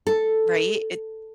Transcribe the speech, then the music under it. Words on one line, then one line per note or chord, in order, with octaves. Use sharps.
Right, it
A4